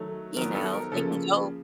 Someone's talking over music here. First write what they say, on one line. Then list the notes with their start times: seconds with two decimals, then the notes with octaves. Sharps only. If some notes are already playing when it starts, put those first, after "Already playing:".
you know they can go
Already playing: D#3 F#3 A3
0.37 D#3 F#3 B3 A#4
0.55 A4
0.73 A#4
0.92 C#3 F3 A#3 A4